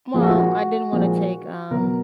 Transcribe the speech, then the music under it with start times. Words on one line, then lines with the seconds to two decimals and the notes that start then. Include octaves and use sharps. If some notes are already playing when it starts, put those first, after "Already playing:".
Well, I didn't wanna take, um,
0.14 A#2 F3 G#3 G#4
0.22 F#4
0.29 F4
0.37 F#4
0.92 A#2 F3 G#3
1.71 B2 F#3 A#4